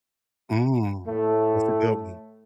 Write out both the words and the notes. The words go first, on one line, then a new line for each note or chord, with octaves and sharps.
Mm. That's a good one.
A2 A3